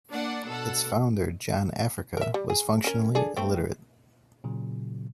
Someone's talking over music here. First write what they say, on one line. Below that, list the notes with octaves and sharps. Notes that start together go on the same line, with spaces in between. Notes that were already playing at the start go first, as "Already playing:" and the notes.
Its founder, John Africa, was functionally illiterate.
A#3 D4 D5 F#5
B2 A4 F#5
A#4 E5
G3
G#4
C#4 A#4
D4 G#4 A4
A3 C4
A#2 C#3 F#3